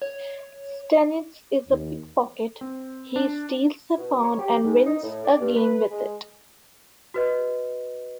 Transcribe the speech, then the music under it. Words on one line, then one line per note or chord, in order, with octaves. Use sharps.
Steinitz is a pick-pocket, he steals a pawn and wins a game with it.
C#5
D#2
C4
D4
B2
C#5
G4
G#2
D#4
A2
D5
G2
B4
G#3
F#4 B4 D#5